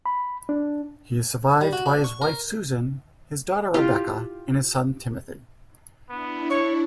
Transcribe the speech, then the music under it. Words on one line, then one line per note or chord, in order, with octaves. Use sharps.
He is survived by his wife Susan, his daughter Rebecca, and his son Timothy.
B5
D4
G3
F#4
D4
C#6
A#4
E4 F4 G4
B3 D4 E4
C#5 C#6